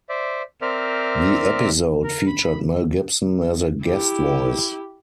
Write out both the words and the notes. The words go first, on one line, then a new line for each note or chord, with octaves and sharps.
The episode featured Mel Gibson as a guest voice.
C5 D5 E5
C4 A#4 C5 D5 E5 F6
A#4
B5
E4 G4